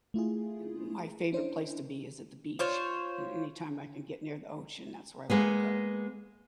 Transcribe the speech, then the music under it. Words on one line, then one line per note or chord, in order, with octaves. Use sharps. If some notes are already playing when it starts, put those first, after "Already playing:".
and my favorite place to be is at the beach. A anytime I can get near the ocean, that's where I want to go,
A3 E4 F4 G#4
C#4 D4 E4 C5
F4 C5 C#5
G#3 A#3 B3